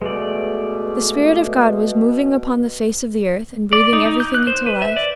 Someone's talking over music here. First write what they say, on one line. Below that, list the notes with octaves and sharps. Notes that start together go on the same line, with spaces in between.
The Spirit of God was moving upon the face of the earth, and breathing everything into life.
B2 G#3 A3 D5
D5
D#4
D#4
G6
F#6
C5
B4
E5
D5